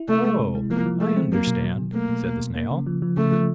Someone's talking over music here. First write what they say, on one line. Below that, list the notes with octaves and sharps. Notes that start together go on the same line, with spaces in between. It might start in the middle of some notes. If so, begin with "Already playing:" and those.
"Oh, I understand," said the Snail.
Already playing: E4
C3 A3
G#3
C3
G#3
F3 A#3
F3
G#3 A3
C4
F#3 A#3
B2
F#3
B2
A3 A#3
B2
B2
B2
A#3
C#3
F3
F3
C#3 A3
F3